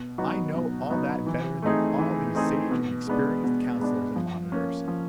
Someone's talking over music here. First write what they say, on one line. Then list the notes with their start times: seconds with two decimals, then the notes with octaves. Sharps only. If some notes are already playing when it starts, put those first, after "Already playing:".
I know all that better than all these sage and experienced counsellors and monitors....
Already playing: B2
0.18 F#3 B3 D#4 F#4
0.54 B2
0.90 F#3 B3 D#4 F#4
1.26 E3
1.62 A3 C4 D#4 G#4
1.98 E3
2.35 A3 C4 D#4 G#4
2.71 B2
3.07 G#3 B3 D4
3.44 B2
3.79 G#3 B3 D4
4.16 F3
4.52 A#3 C#4
4.88 F3